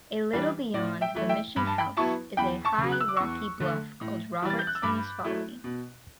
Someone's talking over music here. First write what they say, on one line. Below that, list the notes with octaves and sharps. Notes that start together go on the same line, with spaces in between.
A little beyond the Mission House is a high rocky bluff called Robertson's Folly.
E3 G3 D4
A2 D5
E5 G5
E3 A3 E4
E5 G5
G2 B5
A5
G5 B5
F#3 B3 E4 A5 C#6
E2 G5 B5
A5 C#6
C#3
F#3
F#6
E6
D6
E2 C#6 E6
D3 A3
A2
E3 G3
A6
G6
F#6
E6
G2 B5 D6
F#3 A3 E4
B2